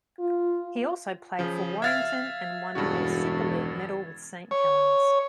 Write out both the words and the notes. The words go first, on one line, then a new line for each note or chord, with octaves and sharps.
He also played for Warrington, and won a Super League medal with Saint Helens.
F4
C#3 F3
E5 F5 F6 G#6 A6
E1 G2 C#3 F#4
C#5